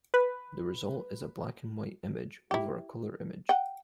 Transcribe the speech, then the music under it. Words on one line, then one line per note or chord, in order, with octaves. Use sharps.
The result is a black-and-white image over a color image.
B4
E4 G4
F#5 G5